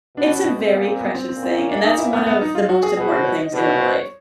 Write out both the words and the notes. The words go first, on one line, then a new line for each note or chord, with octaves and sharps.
it's a very precious thing, and that's one of the most important things in my life.
B2 D4
C#4
B3
C4
A#2 B3
C4
B3
C4
A#2 C4
C4
C#4
D4
D#4
E4
B3
B3
D#4
F4
F#4
G#4
B2 G#4
C5
C#5
D#5
B2 D5
C#5
C5
C#5